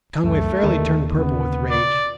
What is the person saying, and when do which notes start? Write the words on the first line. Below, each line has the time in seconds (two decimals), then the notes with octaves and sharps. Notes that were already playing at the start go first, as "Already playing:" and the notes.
Conway fairly turned purple with rage.
0.24 C#2 F#2 A3
0.63 D#2 D3 D#3 A#4
1.19 C#3 B3
1.71 D5